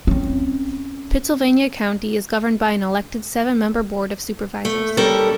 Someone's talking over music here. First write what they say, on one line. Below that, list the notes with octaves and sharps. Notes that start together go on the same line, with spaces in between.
Pittsylvania County is governed by an elected seven-member Board of Supervisors.
C4 C#4
A3
G3 C#4 G4 A4 A#4